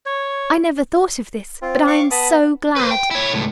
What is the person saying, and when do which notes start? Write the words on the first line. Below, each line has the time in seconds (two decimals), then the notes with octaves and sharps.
I never thought of this; but I am so glad.
0.06 C#5
1.62 C4 F4
1.87 F5 C#6 D6
2.11 B3 A5 B5 D#6
2.76 B4 C5
2.91 G5
3.11 E4 C#5
3.33 C#2 A2